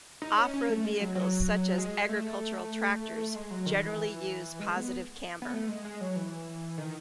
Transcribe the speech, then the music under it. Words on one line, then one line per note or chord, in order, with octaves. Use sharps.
Off-road vehicles such as agricultural tractors generally use positive camber.
D#4
C#4
C#4
A3
G#3
F#3
F#3
G#3
A3
G#3
F#3
D#3
E3
G#3
B3
B3
A3
G#3
G#3
F#3
E3
D#3